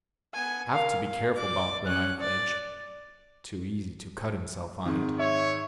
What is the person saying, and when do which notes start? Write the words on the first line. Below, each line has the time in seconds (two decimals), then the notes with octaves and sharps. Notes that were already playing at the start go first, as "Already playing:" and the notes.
Have to be careful about the knife-edge; too easy to cut himself on it.
0.34 B3 G#5
0.73 A#4 F5
1.05 F5
1.36 D5 D6
1.86 C#4 F#6
2.20 D5
4.86 G#2 D#3 C4
5.19 C#5 E5